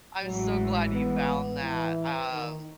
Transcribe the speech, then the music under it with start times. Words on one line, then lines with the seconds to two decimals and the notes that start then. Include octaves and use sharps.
I'm so glad you found that, um,
0.23 A1 G#2 E3 F#3
0.93 B3
1.62 E3
2.32 D#3